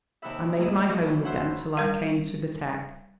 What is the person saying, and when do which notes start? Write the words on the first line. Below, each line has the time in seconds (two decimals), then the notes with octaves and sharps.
I made my home with them till I came to the Tech.
0.22 D#2 C3 D#4 B4 E5
0.44 F2
0.58 G3 A3 A#3 G#4 D#5 E5
0.83 F#2 F#3 G#3 D4
1.01 F#2 E3
1.24 C5 E5 F#5 G#5
1.77 G3 A#4 F5